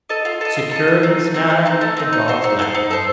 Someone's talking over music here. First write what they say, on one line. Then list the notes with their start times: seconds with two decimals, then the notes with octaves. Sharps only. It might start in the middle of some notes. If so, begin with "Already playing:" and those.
Secured in this manner the gods left him.
0.09 A4 D#5
0.25 F4
0.41 A4 D#5
0.56 F4
0.71 A4 D#5
0.88 A3
1.03 C4 D#4
1.19 A3
1.34 C4 D#4
1.50 A3
1.65 C4 D#4
1.81 A3
1.97 C4 D#4
2.13 D#4
2.28 A4 C5
2.44 D#4
2.59 A4 C5
2.75 D#4
2.90 A4 C5